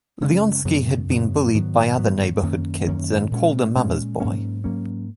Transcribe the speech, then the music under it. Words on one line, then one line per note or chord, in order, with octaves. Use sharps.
Leonski had been bullied by other neighborhood kids and called a mama's boy.
F#2 C#3 G#3 C#4
F#2 C#3 F#3 B3
F#2 C#3 F#3 B3
G#2 D#3 F#3 B3
G#2 D#3 F#3 B3
F#2 D#3 A#3 C#4
F#2 D#3 A#3 C#4
A#2 G#3 C#4
A#2 G#3 C#4
G#2 F#3 A#3 C#4
G#2 F#3 A#3 C#4